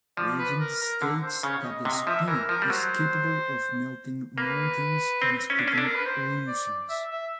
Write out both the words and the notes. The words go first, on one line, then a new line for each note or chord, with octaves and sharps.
Legend states that the spear is capable of melting mountains and splitting oceans.
F3 D5
B4
A#4
A#4
D3
C5
C#3 C#5
D#5
C3 D#5
F3 E5
E3 A#4
F3 A#4
G3
F#3 C5
A#3 B4
C4
C#4
D4
C#4
D4 A4
A#4
B4
C5
D5
E5
E5